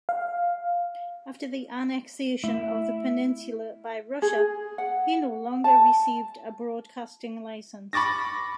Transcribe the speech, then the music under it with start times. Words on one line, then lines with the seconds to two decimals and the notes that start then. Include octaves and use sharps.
After the annexation of the peninsula by Russia, he no longer received a broadcasting license.
0.09 F5
2.44 A3 E4
4.22 G#4
4.78 F#5
5.64 A5
7.93 B5 C#6 D6 A6 A#6